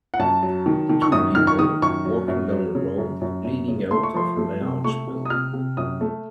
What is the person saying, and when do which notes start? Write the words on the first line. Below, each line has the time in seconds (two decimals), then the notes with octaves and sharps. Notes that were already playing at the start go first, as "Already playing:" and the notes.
Two people walking down a road leading out of a large building.
0.14 F#5
0.19 F#2 A5
0.43 F#3
0.66 D#3
0.89 D#3
1.02 C#6
1.12 F#2 D#6
1.35 D#3 F6
1.47 C#6
1.59 D#3 D#6
1.82 F#2 C#6
2.05 F#3
2.28 F#2
2.52 F#3
2.75 C#3
2.98 F#2
3.21 F#2
3.44 F#2
3.68 C#3
3.91 A3 C6
4.03 C#6
4.14 F3 C6
4.37 A3
4.61 C3
4.84 A3 C#6
5.07 C3
5.25 D#6
5.30 C3 F6
5.53 C3
5.77 F#2 D#6
6.01 A3